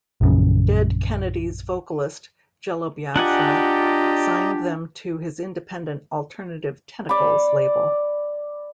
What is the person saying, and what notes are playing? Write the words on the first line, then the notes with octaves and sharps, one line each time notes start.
Dead Kennedys vocalist Jello Biafra signed them to his independent Alternative Tentacles label.
A#1 F#2 C#3
D4 F4 G4 D5 D#5 F#5 G#5 A#5
D5 B5